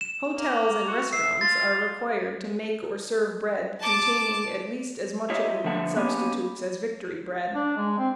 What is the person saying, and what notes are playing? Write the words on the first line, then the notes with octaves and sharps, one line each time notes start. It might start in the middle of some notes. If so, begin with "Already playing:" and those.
Hotels and restaurants are required to make or serve bread containing at least as much of the wheat substitutes as Victory bread.
E7
A#3
F#4
E5 C7
F4 A6
A5 D6
F4 G4 C#5 D#5 E5
D3 F3 E5 F#5 A5
A#3 B3 C#4 G4
D4
G#3
C4